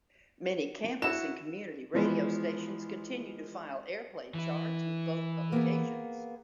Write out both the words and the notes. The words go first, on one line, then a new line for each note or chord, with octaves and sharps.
Many campus and community radio stations continue to file airplay charts with both publications.
E4 F#4 E7
E3 F3 G#3 B3
E3 E4
A#3 B3 G#4